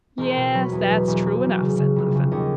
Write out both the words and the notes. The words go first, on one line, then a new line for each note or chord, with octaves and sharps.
"Yes, that's true enough," said Puffin.
E1 A#4 C5
B2
F#3 B4 C#5
E2
E1
E1
F#3
E1
C#3
C#3
F1
C#3
D#2 C#5 D#5